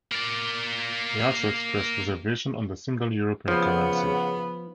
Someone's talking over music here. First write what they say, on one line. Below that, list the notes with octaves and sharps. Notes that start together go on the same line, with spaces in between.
He also expressed reservations on the single European currency.
A#3 D5
C#3 F3 B3 F#5